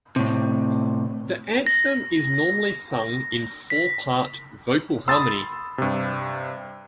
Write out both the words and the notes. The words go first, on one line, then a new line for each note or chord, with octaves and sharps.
The anthem is normally sung in four part vocal harmony.
A2 C3
A#6
B6
B5 C6 D#6 E6 A6
G2 C3